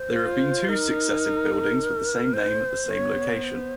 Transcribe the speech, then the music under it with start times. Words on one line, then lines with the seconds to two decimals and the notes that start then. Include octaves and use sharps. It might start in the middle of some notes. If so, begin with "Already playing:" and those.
There have been two successive buildings with the same name at the same location.
Already playing: C5
0.15 F4
0.69 D#4 A#4
2.34 C5
2.89 B3 C#5
3.44 C5